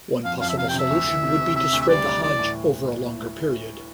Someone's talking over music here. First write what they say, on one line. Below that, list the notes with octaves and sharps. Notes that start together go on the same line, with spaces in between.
One possible solution would be to spread the Hajj over a longer period.
F2 F5
F2 F5
E5
C3 F5
G5
C3 E5
D2
E3
C3
E3
C3 E5
D2
E5
G3 D5
D2
E3 D5
A2